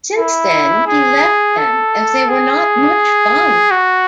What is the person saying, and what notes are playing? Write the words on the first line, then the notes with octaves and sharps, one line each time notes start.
Since then, he left them as they were not much fun.
E4
G#4
A4
G#4
F#4